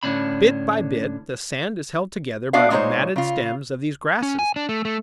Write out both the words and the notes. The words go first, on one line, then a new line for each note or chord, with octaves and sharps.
Bit by bit, the sand is held together by the matted stems of these grasses.
A2 D3 C#4 D4 B5
B3 D4 F#4 D5 E5 F5
A#2 G#3 D#4 E4 C5 C#5
C#3 F4
C#4
G#5
D4
A3
A3